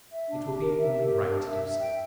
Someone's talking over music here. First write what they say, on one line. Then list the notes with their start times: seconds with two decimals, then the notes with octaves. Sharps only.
"It will be only right to do so."
0.11 E5
0.28 D4
0.45 G4
0.62 A#4
0.79 E5
0.96 G4
1.12 A#4
1.30 D4
1.47 E5
1.64 E5
1.81 G5